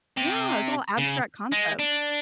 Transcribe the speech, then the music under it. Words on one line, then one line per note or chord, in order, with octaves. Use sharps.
Yeah, it's all abstract concepts.
C3
C#3
G#3
D4